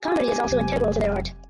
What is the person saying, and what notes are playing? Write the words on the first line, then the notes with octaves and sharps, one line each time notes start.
Comedy is also integral to their art.
G4 G#5
F1 F#3